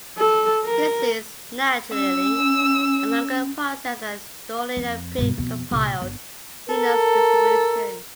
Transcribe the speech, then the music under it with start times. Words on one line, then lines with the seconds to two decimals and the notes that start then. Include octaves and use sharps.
This is, naturally, a longer process than installing a pre-compiled Linux distribution.
0.18 A4
0.65 A#4
1.93 C#4 E6
4.77 F2
5.18 G2 B2
5.38 F2 B2
5.71 C2 A#2
6.02 G1
6.69 A4 A#4